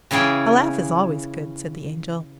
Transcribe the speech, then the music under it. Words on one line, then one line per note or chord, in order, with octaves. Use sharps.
"A laugh is always good," said the Angel.
C#3 E3 C#4 G#4 G5